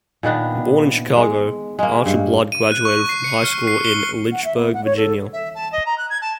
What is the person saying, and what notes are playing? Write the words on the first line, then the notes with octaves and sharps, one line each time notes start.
Born in Chicago, Archer Blood graduated from high school in Lynchburg, Virginia.
A#2 D#3 B3 D4
G#3
G#3 A#3
G2
D#7
F#6
C#6
C7
C#7
F6
C7
G7
F#5
E5
B3
F#5
C#5
A4
E5
A5
D#5
A#5
F#6
G#6
A5